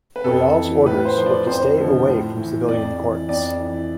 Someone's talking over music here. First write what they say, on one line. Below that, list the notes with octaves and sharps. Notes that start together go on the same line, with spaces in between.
Royall's orders were to stay away from civilian courts.
B4
F2 A4
E3
A2 B4
C5
F3 C5
D5
F2 C5
D3 F3
A2
E3
F2 D5
E3
F2 D5
E3